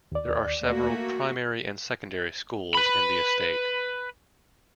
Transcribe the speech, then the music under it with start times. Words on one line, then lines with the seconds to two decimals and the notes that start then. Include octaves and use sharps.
There are several primary and secondary schools in the estate.
0.12 D#2 D5
0.63 A3 A#3 F#4
2.75 B4 B5